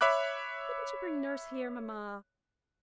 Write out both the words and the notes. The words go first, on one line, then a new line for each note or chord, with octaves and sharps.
Couldn't you bring nurse here, mamma?
C#5 E5 B5 D6 F#6